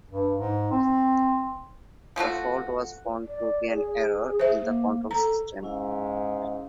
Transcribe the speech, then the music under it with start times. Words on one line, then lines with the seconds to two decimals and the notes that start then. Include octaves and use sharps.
The fault was found to be an error in the control system.
0.09 G2
0.38 G#2
0.71 C4
2.16 F3 A3 F4 F#4
3.22 D5
3.73 G#4
4.40 C5 E5
4.60 A#3
5.11 A4 A#5
5.63 G#2 C#4 E4 F5